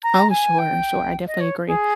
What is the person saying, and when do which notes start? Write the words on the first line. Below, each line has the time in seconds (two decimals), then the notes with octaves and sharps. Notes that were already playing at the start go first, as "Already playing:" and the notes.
Oh, sure, sure, I definitely agree,
0.03 A#5
0.30 G#5
0.58 G5
1.27 D#5
1.40 C#5
1.67 G#4